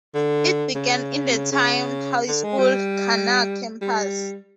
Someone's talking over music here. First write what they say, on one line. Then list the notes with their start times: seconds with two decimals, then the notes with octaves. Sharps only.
It began in the Town High School, Kannur Campus.
0.15 D3
0.75 C#3
1.30 C3
1.37 C#3
1.52 C#3
2.28 D3
2.44 G#3
2.59 G3
3.82 G3